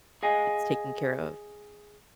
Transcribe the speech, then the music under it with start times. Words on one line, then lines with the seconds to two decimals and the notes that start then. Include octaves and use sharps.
it's taken care of."
0.23 G#4 D#5 F5 G#5